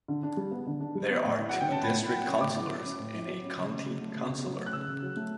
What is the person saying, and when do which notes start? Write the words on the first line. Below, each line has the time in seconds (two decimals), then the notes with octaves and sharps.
There are Two District Councillors and a County Councillor.
0.08 D3
0.23 D4
0.37 G3
0.51 B3
0.67 D3
0.80 D4
0.95 G3
1.09 B3
1.25 A2
1.38 E4
1.49 F#3 F#5
1.60 G5
1.68 C#4 A5
1.83 A2 B5
1.97 E4
2.12 F#3
2.27 C#4
2.41 A2 D6
2.56 E4
2.70 F#3
2.85 C#4
2.99 A2
3.13 E4
3.28 F#3
3.43 C#4
3.57 C#3
3.72 C#3
3.86 F#3
4.01 A3
4.16 C#3
4.29 C#3
4.44 F#3
4.60 A3
4.66 F#6
4.73 C#3 E6
4.87 C#3
5.03 F#3
5.17 A3